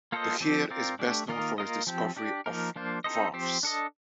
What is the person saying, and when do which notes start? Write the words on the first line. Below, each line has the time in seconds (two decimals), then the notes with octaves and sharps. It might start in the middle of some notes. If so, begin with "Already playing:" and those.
De Geer is best known for his discovery of varves.
0.12 A#3 F4 A4 C5 D#5
0.41 F3 C4 G4 D5
0.70 C4 F4 A#4 D5
0.99 A3 D4 G4 D5
1.29 D#3 A#3 F4 A#4 D#5
1.58 A#3 F4 A#4 D#5
1.87 F3 C4 G4
2.17 D4 G4 D5
2.46 F3 A#3 D#4 A#4
2.76 F3 A#3 D4 F4 C5
3.04 C4 D#4 A4 C5 D#5
3.34 F3 C4 G4 C5
3.63 D4 A4 D#5